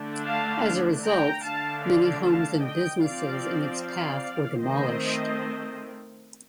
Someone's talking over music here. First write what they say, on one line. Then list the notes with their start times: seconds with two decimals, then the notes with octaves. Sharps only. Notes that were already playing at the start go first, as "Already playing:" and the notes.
As a result, many homes and businesses in its path were demolished.
Already playing: D3 A3 D4
0.25 F5 A5
1.05 G5 A#5
1.44 D3 A3 D4 F5 A5
1.84 D5 F5
2.24 F5 A5
2.63 D#5 G5
3.03 F3 C4 D5 F5
3.82 D5 F5
4.61 D#3 A3 C4 C5 D#5